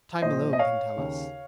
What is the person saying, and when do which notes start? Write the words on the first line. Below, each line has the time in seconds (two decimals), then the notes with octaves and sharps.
Time alone can tell us.
0.22 A#1 A#2 C5 D#5
0.53 D#5
0.59 C#5 F5
0.96 D#2 C#3